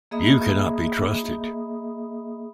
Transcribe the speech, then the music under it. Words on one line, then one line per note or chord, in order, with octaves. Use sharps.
You cannot be trusted.
A#3 G#4 D#5 E5 B5 D#6